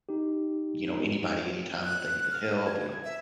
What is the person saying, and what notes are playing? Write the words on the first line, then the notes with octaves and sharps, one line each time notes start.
you know, anybody anytime if they needed help, you know
D#4 G4
F#6
F6
G#6
E5